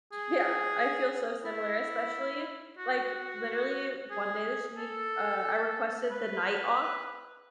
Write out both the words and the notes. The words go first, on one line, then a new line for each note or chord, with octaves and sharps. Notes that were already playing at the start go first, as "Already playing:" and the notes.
Yeah. I feel so similar, especially, like, literally, one day this week, uh, I requested the night off
G#4
E4
F#4
G#4
A4
B4